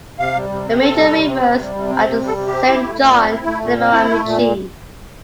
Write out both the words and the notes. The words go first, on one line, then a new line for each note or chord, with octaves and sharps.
The major rivers are the Saint John and the Miramichi.
C3 F5
G3
C3
C4
C3 A4
G3
C3
C4
C3
G3
C3
C4
C3
G3
A4
C3
C4 G4
E4
A3
A#2
C4
E4
A3
A#2
C4
E4
A3
A#2